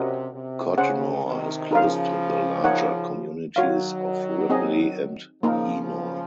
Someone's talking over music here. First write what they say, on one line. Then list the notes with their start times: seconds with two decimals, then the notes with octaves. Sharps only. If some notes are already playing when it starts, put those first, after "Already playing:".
Codnor is close to the larger communities of Ripley and Heanor.
Already playing: C3 C#4 F#4 A#4 D#5 F#5
0.31 C3
0.78 C#3 C#4 G#4 C5 F#5
1.24 C3 D#3
1.71 C#3 F3 D#4 A#4 F5
2.63 D#4 A#4 C#5 F#5
3.56 D#3 F#3 F#4 C#5 F5
4.50 C4 D#4 G#4 D#5
5.42 C#3 F3 A#3 D#4 A#4